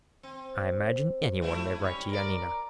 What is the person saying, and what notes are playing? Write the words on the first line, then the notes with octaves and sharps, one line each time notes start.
"I imagine any one may write to Yanina."
C4
F#3 A3 E4
G3 C#4 C#5
A#4 D5